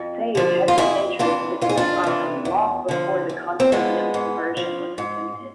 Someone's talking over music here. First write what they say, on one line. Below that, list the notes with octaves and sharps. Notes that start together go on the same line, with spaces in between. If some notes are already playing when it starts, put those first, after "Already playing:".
Sage had been interested in the property long before the condominium conversion was attempted.
Already playing: F2
D3 F3
F4
F2 E4 G#4
C3 E3 D4 F4
F2 F4
G#4
D4 F4
C3 E3
E2
D3 F3
E2
C4
D3 F3 G#3 B3
G#2
F3
G#2